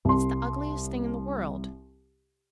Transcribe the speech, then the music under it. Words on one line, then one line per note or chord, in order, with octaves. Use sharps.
It's the ugliest thing in the world.
C2 C6